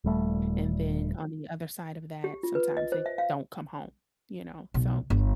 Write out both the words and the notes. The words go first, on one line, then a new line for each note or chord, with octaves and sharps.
And then on the other side of that, sometimes they don't come home, you know? So
D#1 G3 A3
G4
F4
B4
D#5
C5
E5
F5
B1
G1